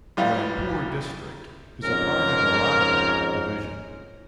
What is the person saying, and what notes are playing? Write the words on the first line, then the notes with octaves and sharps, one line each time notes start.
Rampur district is a part of Moradabad division.
A1 E3 G3 E4 F4
F2 G#2 C#4 A#4